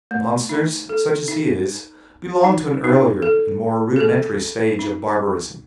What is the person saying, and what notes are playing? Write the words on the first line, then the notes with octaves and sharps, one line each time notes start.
Monsters such as he is belong to an earlier and more rudimentary stage of barbarism.
A3
D#4
A4
D#4
D#4
D#4
A4
A4
G#4
D#4